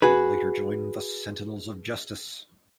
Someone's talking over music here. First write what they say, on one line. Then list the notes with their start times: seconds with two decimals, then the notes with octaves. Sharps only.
He later joined the Sentinels of Justice.
0.02 F#4 G#4 B4